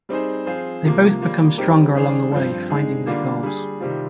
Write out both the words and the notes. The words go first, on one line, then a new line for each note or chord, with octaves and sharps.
They both become stronger along the way, finding their goals.
G3 C4 D#4 G#4 C5
F3 C4 F4 G#4 C5
C3 F3 A#3
G3 A#3 F4
G3 C4 D#4 G4 A#4
D#3 G3 D4 G#4 C5
G2 F3 C4
D3 G#3 D#4 G#4
D3 G3 A#3 D4 F4
G3 D4 G#4
C3 D#3 G3 C4 F4